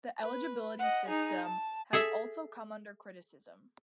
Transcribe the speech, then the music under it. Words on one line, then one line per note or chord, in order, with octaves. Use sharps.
The eligibility system has also come under criticism.
B4
D#5 F#5
D#4 G#4
A5
G#4 A4 E5